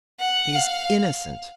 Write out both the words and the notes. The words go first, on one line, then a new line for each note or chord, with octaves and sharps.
"He is innocent."
F#5
F5